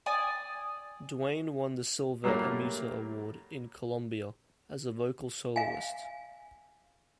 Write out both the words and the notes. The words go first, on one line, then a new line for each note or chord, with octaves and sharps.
Dwayne won the Silver Ermita award, in Colombia, as a vocal soloist.
D5 G#5 D#6
A#2 F#3 G3 A3 A#3
F5 G#5